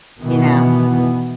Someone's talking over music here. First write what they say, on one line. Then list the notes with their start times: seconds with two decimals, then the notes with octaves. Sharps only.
you know?
0.20 B2 D#3 E3 B3